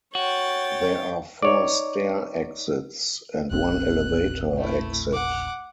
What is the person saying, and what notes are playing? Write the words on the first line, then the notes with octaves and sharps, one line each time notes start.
There are four stair exits and one elevator exit.
F#4 C#5 G5 A6
D#4 C#5 D5
E1 A#1 C4 F#6
A3 E4
F#5 D6